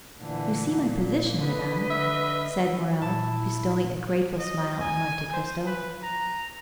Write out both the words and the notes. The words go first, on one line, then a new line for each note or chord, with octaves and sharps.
"You see my position, madame," said Morrel, bestowing a grateful smile on Monte Cristo.
A#2 D3 E3
A#2
D3 B4 D#5
E5
A#2 E4 A5
D#5
G#5
C5
B4
A#5